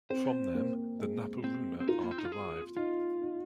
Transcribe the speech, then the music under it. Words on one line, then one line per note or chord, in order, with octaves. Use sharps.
From them the Napo-runa are derived.
C4 C5
A#3
G#3
C4
C4
D#4 F4
A#3
C4
D#4
F4
G#4
D#4 F4
D#4